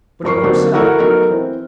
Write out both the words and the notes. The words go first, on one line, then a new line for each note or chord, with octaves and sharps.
But it warn't so.
G2 A#4 C#6 C7
D3 F#3 A#3 C4 D4 D#4
A3 E4 F#4 A4 A#4
F#3 B3 D#4 A4 A#4
E3 C4